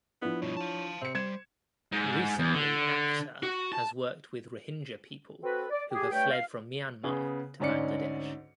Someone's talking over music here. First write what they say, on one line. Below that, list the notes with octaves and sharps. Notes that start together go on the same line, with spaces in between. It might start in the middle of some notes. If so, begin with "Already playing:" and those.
Recently Akhter has worked with Rohingya people who have fled from Myanmar to Bangladesh.
F3 B3 D4 E4
G2 B2 C#5
F5 A5
C3 C4 C#7
G3 C5 G#6 E7
G#2
E2
D3
F#4
A5
C4 F#4 A4 B4
D5
G4 G#4
G2 A3 B4 C#5 G5
F5
C#3 B3 G#4
D2 G#2 C#4 D5 C#7